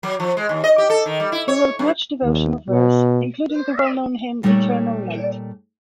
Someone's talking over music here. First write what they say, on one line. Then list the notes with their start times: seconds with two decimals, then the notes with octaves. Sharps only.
He wrote much devotional verse, including the well-known hymn 'Eternal Light!
0.03 F#3
0.20 F3
0.37 G#3
0.49 D#2
0.64 D#5
0.78 G4
0.90 A4
1.06 D#3
1.20 G3
1.32 E4
1.48 C#5
1.79 G2
2.24 D#2
2.70 B2
4.43 A#2 G3 A3 D#4 A4 C#5